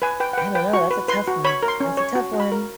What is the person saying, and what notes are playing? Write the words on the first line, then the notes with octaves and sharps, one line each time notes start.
I don't know. That's a tough one. That's a tough one,
B4 G#5
B4 G5
F#5
B4 G5
B4 G5
F#4 C#6
B4
B4 C6
F#4
C#5 B5
A#4
C6
C#4
C#5
F#4
F#4
B5
A#4